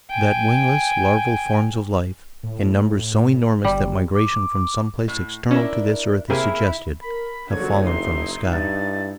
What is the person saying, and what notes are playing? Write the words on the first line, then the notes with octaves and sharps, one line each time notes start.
That wingless, larval forms of life, in numbers so enormous that migration from some place external to this earth is suggested, have fallen from the sky.
G5 G#5
A2
G1 G3
D6
A2
C#4 D4 E4 A#4
C3 A#3 E4 G#4 A#4
A#4 B5
F#1 D3 F3 F#3 G#6
D#4 E4 C6
G2 A6